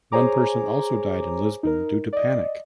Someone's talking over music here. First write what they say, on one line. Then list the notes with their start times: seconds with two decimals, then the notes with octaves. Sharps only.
One person also died in Lisbon due to panic.
0.12 G#4 C5 C#5 G#5 A#5 D6
1.63 D#4 A#4
2.13 D5 D#5